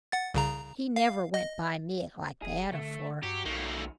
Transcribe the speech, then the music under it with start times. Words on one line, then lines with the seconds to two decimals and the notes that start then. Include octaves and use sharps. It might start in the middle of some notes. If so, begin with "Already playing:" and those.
He never went by me like that afore.
0.12 F#5 A6
0.34 C2 C#3 A#5
0.96 F5
1.34 D#5
2.42 F1 G#4
2.72 D3 A3
3.23 G2 F#3 G4
3.45 B1 D#3 F#3 A3 A#3